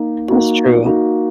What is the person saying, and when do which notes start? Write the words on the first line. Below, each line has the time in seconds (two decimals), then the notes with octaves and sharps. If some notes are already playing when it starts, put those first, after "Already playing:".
That's true.
Already playing: A#3 D#4
0.29 A#3 D#4 F#4
0.85 A#3 D#4 F#4